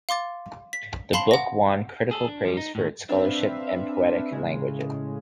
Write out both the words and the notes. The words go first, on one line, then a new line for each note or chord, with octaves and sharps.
The book won critical praise for its scholarship and poetic language.
F5 C6 D6 A6
B6
F5 A5 B5 C6 C7 F#7
F#5 A#6
G#4 A4
D4
F3 G3
D#4
A2 D#3
C4 D4 B4 E5 F5
A2 C#3 G#3